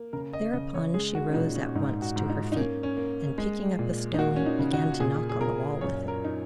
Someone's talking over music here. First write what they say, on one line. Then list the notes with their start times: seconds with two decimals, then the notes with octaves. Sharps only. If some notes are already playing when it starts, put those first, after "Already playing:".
Thereupon, she rose at once to her feet, and picking up a stone, began to knock on the wall with it.
Already playing: A#3
0.13 C#3 A#4
0.33 D#5
0.53 C#3 D#5
0.74 C#5
0.94 G#3 G#4
1.15 F#4
1.29 C#4
1.34 A#2 D#4
1.55 C#4
1.75 G#2 D#4
2.02 F#4
2.16 G#2
2.30 D#4
2.52 D#4
2.56 A#3 C#4
2.83 C#4
2.97 A#3
3.38 G#3
3.79 A#2
4.14 D#4
4.19 A#3 F#4
4.36 C#4
4.46 D#4
4.59 C#3
4.73 F#4
5.00 A#2 G#4
5.29 G#4
5.41 A#2 A#4
5.81 F#2 C#5
6.08 A#4
6.25 D#4